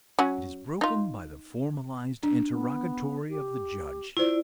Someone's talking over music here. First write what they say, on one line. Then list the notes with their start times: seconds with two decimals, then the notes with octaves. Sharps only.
It is broken by the formalised interrogatory of the judge?
0.19 F#3 C#4 F#4
0.81 D#4 F4
2.23 D4
2.50 B3
3.30 G4
4.17 E4 F4 C5 D5